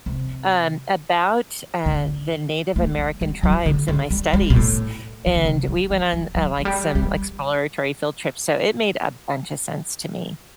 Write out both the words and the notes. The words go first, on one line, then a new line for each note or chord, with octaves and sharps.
um, about, uh, the Native American tribes and my studies, and we went on, uh, like, some exploratory field trips, so it made a bunch of sense to me.
C3
D3
A3
G3
G3
F#3
D3
D3
G3
G3
B2
A2
E3
D3
C3
F#3
E3
F#3
F#3
F#3
G3
G3